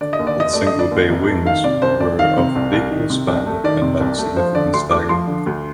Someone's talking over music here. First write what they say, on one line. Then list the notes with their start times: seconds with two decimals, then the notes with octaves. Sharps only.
Its single bay wings were of equal-span and had significant stagger.
0.01 D3 D5
0.13 D#5
0.19 D#2
0.27 D5
0.37 F1 D#5
0.53 A3 D5
0.67 D#5
0.73 D3
0.79 D5
0.91 D#2
1.09 F1
1.28 A3
1.45 D#3 F5
1.64 C3 D5
1.82 C2 C5
2.00 C2 D5
2.19 D#3 F5
2.37 C3
2.56 C2
2.73 C2
2.91 D#3
3.10 C3
3.28 C2
3.46 A3
3.64 D#3 D5
3.82 C3
4.00 C2
4.18 A3
4.36 F3 C5
4.55 D3 D5
4.73 D2 C6
4.91 A3 D6
5.09 F3 C6
5.27 D3
5.46 D2